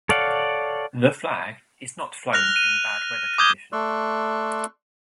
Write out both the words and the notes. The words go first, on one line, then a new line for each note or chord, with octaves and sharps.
The flag is not flown in bad weather conditions.
A4 C#5 D5 F5 F#5
F6 F#6 A#6 F7
D#7
D6 D#6 G6 G#6 G7
A3 D5 C6 C#6 E6 F#6